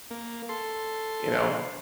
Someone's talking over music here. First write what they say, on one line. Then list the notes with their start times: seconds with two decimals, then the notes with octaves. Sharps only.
you know,
0.11 A#3
0.49 A4 C6